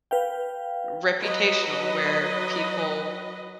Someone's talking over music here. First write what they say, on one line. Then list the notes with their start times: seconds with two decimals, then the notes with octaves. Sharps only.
reputational where people
0.11 B4 F5 G5
1.21 F#3 B4 D#5